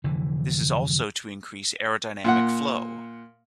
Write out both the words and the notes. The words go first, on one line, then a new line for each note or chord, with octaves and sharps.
This is also to increase aerodynamic flow.
F1 D3 E3
A#2 F#5